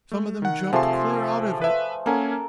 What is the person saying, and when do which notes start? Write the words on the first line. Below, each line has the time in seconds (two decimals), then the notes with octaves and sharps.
Some of them jumped clear out of it.
0.11 A3
0.42 D#3 F#5
0.73 C3 F3 A3 G#4 C6
1.62 B4 E5
2.06 A#3 C#4 A4 A#4 F#5 G#5